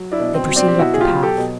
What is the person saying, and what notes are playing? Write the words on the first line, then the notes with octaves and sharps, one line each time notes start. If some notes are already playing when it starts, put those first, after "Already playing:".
They proceeded up the path.
Already playing: F#3
D4 E4
B2
C4
F#3
C4 D4
G4
B2 E4 F#4
G#4
F4 G4
F#3
G4 A4
B2